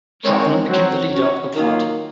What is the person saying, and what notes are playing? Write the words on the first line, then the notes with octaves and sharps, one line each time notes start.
Trotman became the leader of the party.
G#3 C4 D#4 A#4 C#5
F#3 C4 F#4 C#5
C#4 F#4 C#5
D#3 F#3 A#3 F4